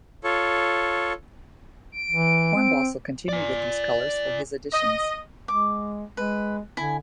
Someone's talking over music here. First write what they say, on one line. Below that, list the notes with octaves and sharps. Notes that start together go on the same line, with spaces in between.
Hornbostel continued with these colors for his additions.
F4 A4 C#5
D7
E3
C4
D5 G#5
D#5
G#3 D6
G#3 B4
D3 E4 G#5